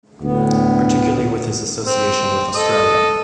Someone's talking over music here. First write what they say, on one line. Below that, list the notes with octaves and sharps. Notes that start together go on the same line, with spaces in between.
Particularly with his association with Australia.
D2 A2 B3
C4
A4 D#5 D#6